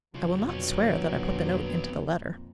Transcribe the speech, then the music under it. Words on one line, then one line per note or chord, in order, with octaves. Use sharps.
"I will not swear that I put the note into the letter."
F2 A#2 C#3 F#3 F4
B2 D3 B3 C#5